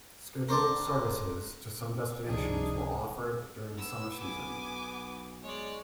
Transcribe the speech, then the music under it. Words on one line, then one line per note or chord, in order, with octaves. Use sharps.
Scheduled services to some destinations were offered during the summer season.
A#4 C5 D5 A5
C#2 C3 D#3 F3 D4 D#4 G#4
B3 E6
B1 G#5 D6
G#3 C#5 D5